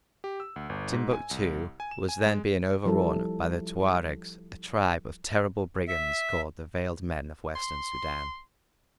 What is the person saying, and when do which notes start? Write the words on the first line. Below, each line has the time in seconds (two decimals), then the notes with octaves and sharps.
Timbuctoo was then being overrun by the Tuaregs, a tribe of terrible brigands called "the veiled men" of Western Soudan.
0.24 G4
0.40 E6
0.56 D2
0.69 G1
0.93 G#2
1.13 G#5
1.31 C2
1.80 G#5
1.91 E7
2.09 G#5
2.26 G#3
2.85 F3 G3 E4 A4
5.88 E5
7.56 C6